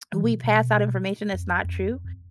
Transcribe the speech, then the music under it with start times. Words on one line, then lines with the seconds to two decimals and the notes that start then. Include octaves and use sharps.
We pass out information that's not true,
0.13 E3
0.23 B2
0.44 B2
1.34 F2
1.64 F2
2.04 F2